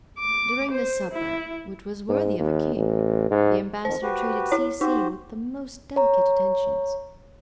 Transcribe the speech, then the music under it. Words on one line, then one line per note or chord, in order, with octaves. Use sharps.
During the supper, which was worthy of a king, the ambassador treated C- --- C---- with the most delicate attentions.
D6
C5
E4
G#2
D#2
A1
G#2
F2 D#3 C5
F#4 G4 B4
E4 C#5
D#4 F#4 G4 C5
C#5 A#5